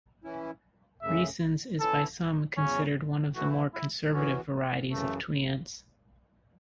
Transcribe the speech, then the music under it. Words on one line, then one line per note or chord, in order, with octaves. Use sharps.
Riessens is by some considered one of the more conservative varieties of Tweants.
E3 C#4 E4
F#2 C#3 A3 C#4 E5
E3 C#4 E4 A4
E2 C#3 F#3 C#4
E3 A3 E4 F#4
E4
E2 E3 B3 C#4 F#4
F#2 C#3 E3 A3